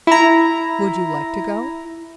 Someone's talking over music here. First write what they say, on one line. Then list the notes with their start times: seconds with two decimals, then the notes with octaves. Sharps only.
"Would you like to go?"
0.07 E4 A#5